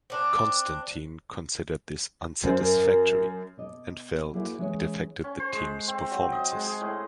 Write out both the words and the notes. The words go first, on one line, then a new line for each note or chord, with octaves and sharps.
Constantine considered this unsatisfactory, and felt it affected the team's performances.
C4 D4
F#2 C5
A#4
B2 D5 D#5
A#3 E4 F#4 G#4 C5 D5
E3 G#3 C#4 B4 C#5
C#4
C5
G#3
C4
F#3
D#5
G#3
G#4
A2